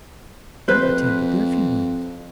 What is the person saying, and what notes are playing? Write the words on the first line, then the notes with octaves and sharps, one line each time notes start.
I attended their funerals.
F2 B4 C5